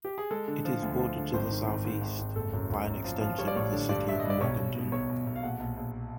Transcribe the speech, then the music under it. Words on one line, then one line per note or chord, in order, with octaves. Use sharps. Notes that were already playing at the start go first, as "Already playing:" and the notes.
It is bordered to the southeast by an extension of the city of Morganton.
G4
G#4
G#3 A4
D3
F3
D2
F3
D3
G#1 C5
D#3
G#1
G#2
G#1
G#1
F#1 A4
F#2
F#2
F#2
F3
F3
G3 C#5
D5
A1 C#5
D3
G2 D5
D3 E5
G3 D#5
D5
B1 C#5
B1
B2
B1 C#5
B1
B1
F5
A#1 F#5
A#1
A#1